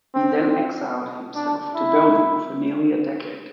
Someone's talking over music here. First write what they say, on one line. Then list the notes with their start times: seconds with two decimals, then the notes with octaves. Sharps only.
He then exiled himself to Belgium for nearly a decade.
0.15 C4
1.35 D4
1.75 E4